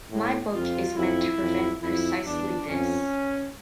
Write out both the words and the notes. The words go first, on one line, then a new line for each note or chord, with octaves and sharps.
My book is meant to prevent precisely this.
A2
F2 F4
F2 E4
F2
F2 E4
E2 D4
F2 C#4